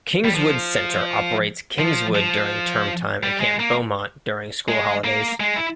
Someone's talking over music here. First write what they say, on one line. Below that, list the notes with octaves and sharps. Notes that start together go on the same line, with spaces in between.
Kingswood Centre operates Kingswood during term-time and Camp Beaumont during school holidays.
G3
F3
F3
F3
G3
G#3
A#3
G#3
A#3
G#3
E4